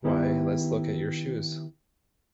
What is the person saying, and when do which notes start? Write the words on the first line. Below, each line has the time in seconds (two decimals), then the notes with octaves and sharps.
Why, let’s look at your shoes.
0.04 D#3 B3 E4 G4